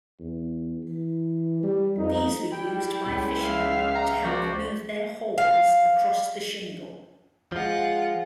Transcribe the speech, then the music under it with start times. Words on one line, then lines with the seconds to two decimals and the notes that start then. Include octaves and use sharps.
These were used by fishermen to help move their hauls across the shingle.
0.20 E2
0.83 E3
1.63 G3
1.98 F2 D#4
2.51 G3 E4 G5
3.06 C#2
3.39 E5 F5 C7
3.95 A#5
4.24 F3 F#4 C5 D5
5.38 F5
7.52 F3 G#3 F4 F#5